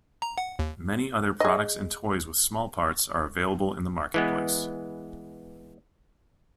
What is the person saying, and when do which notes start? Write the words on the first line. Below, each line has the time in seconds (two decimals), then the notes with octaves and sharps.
Many other products and toys with small parts are available in the market place.
0.22 A#5
0.38 F#5
0.59 D#2
1.40 G#4 D#5
4.14 E3 G#3 B3